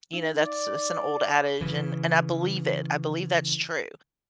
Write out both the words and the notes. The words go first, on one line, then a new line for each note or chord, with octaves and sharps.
you know, that's that's an old adage, and and I believe it; I believe that's true.
D#4
D5
C#3 E3